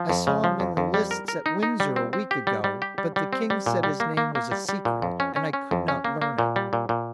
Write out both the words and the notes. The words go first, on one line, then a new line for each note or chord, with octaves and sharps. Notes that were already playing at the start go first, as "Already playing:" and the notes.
I saw him in the lists at Windsor a week ago, but the king said his name was a secret, and I could not learn it.
Already playing: F3
F2
C#3
F3
F2
F2
G3
A#4
A#4
D#4
D#4
G3
C4
C4
G4
G3
G3
G4
G3
G3
C4
G3
A#2
G3
A#3
A#3
A#3
G3
G3
A#2
F2
C#4
C#4
C#4
F2
C#4
A#3
A#3
A#2
G3
A#2
A#2